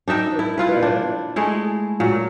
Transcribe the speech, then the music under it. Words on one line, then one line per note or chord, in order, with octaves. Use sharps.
Oh, man.
D4 D#4 E5 G5
E4
E4 F4 B4
D4
G#3 A3 E4
A#2 F#3